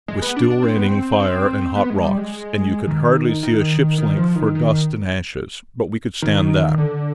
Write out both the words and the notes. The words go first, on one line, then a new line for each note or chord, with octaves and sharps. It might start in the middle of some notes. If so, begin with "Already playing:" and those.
It was still raining fire and hot rocks and you could hardly see a ship's length for dust and ashes, but we could stand that.
G#3
B3
D4
D4
C4
B3
C4
C4
B3
G#3
G3
G#3
D#3
D#3
D#3
F3
D#3
D#3
D#3
D3